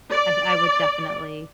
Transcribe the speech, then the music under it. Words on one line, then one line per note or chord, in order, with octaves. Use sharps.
I I would definitely
D5